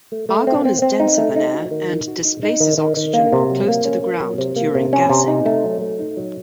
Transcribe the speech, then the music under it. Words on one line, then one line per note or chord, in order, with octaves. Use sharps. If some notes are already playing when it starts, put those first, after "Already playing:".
Argon is denser than air and displaces oxygen close to the ground during gassing.
A3
A3
C4
C4
C4
D#4
A3
D#4
F#4
D#3
D#4
F#4
D#4
D#4
D#3
D#3
D#3
A#3
C3
F#3
A#3
C#4
A#3
F#3
C3
A#3
C3
C#4
C3
D#4
A3
F#3
A3
D#4
F#3